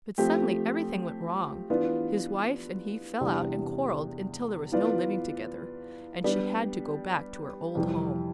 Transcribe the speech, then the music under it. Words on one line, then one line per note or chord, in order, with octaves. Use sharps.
But suddenly everything went wrong; his wife and he fell out and quarrelled until there was no living together, and she had to go back to her old home.
F3 A3 C4 G4
E3 B3 D4 F4
E2 C3 G3 D4 G4
E3 B3 F4 B4 D5
G3 B3 D4 G4
F2 C3 E3 G3